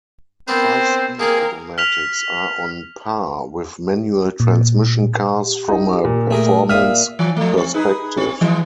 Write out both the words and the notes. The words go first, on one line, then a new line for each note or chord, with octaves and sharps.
Five Speed automatics are on par with manual transmission cars from a performance perspective.
B3 C4 D4 A#4 C5
A#3 C4 G#4 A#4 D5
F6 B6 F7
A#2
G4
D#4
A#2
A3 G#4 A#4
A#2 E5 F5 D#6 F6
E3 F3
F3 A3
C4
D#4 G#4 B4
C4
E3 F3 G#3